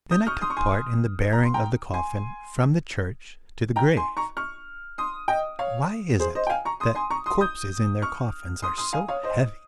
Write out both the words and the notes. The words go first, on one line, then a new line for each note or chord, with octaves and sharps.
Then I took part in the bearing of the coffin from the church to the grave. Why is it that corpses in their coffins are so heavy?
D#6 G6
C#6 F6
C6 D#6
C#6
G#5 C6
A#5
C6
G5 A#5
G#5 C6
G5 A#5
G#5 C6
A#5 C#6
C#6 F6
C6 D#6
D#5 G5
C#5 F5
G#4 C5
C5 D#5
G5
F5 G#5
A#5 C#6
C6 D#6
G#5 C6
A#5 C#6
C6 D#6
D#6 G6
C#6 F6
C6 D#6
C6 D#6
F5 G#5
C#5 F5
C5 D#5